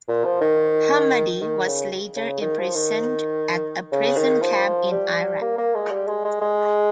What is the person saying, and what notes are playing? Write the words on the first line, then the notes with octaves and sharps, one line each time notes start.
Hammadi was later imprisoned at a prison camp in Iraq.
A#2
F3
D#3
D#3
C#3
C#3
D#3
F3
D#3
C#3
D#3
F3
G3
A#3
A#3
G#3
G3
G#3
G#3
G#3